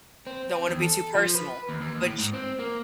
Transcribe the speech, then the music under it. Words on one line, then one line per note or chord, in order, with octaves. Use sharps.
don't wanna be too personal, but she
C4
C4
E2
A4
F3
B4
D#2
D#2
A2
G#2
C4
A#3